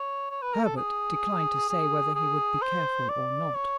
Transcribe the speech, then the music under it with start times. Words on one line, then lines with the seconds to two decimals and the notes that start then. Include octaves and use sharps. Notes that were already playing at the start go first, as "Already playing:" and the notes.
Herbert declined to say whether he would be careful or not.
Already playing: C#5
0.30 C#5
0.42 B4
0.54 A#4
0.65 A4
0.77 G#4
1.69 G#4
2.15 G#4
2.62 C5
3.09 D5
3.55 C#5